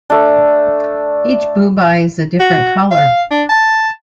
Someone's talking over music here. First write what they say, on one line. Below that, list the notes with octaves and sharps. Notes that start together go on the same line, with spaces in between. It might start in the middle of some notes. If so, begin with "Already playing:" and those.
Each Boohbah is a different colour.
A3 D4
F#4
F5
D4
A5